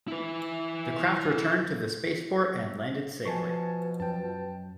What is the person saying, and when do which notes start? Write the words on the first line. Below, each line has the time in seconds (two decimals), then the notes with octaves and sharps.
The craft returned to the spaceport and landed safely.
0.08 E4 B4
3.25 B2 F3 G#5 A5 C#6
4.00 F#2 F#3 G5 A5